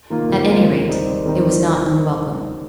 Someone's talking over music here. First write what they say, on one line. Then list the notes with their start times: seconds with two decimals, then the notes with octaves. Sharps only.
At any rate, it was not unwelcome.
0.10 D#3 A#3 F4
0.29 F2
0.49 D#3 A#3 F4
0.68 D#2
0.88 D#3 G3 C4 D#4
1.07 D#2
1.26 D#3 G3 C4 D#4